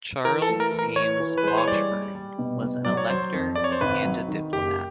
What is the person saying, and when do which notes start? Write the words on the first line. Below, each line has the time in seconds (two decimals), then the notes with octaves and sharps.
Charles Ames Washburn was an elector and a diplomat.
0.25 E3 A#4
0.42 A4
0.49 A3
0.60 A#4
0.72 E3
0.79 A#4
0.96 E3 C#5
1.20 E3
1.38 B4
1.43 G#3 C5
1.58 C#5
1.67 G3 D5
1.91 G3
2.15 G3
2.39 B2
2.62 B2
2.85 F#3 D5
2.97 C#5
3.10 F#3 C5
3.34 F2
3.56 F2 D5
3.64 C#5
3.72 C5
3.81 G#1 B4
4.05 F#3
4.28 D#3
4.53 F#1 G4